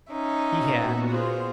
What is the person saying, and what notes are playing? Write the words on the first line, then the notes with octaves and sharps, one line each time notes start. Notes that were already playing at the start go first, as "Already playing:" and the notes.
He had.
C#4 D#4 E5
A#2 B3 F#4
F4 G#4 C5